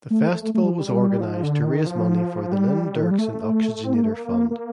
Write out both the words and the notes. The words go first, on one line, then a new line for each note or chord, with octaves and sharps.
The festival was organized to raise money for the Lynne Derksen Oxygenator Fund.
A3
A3
A3
G3
F3
G3
F3
D3
D#3
F3
G3
D#3
F3
G3
A3
C4
A#3
A3
A#3
A#3